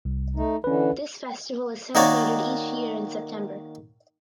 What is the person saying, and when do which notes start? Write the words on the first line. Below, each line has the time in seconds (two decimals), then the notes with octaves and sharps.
This festival is celebrated each year in September.
0.05 C2
0.36 A3 D#4
0.64 D3 E3 C#4 B4
1.95 D#3 A#3 F#4 C#5 D5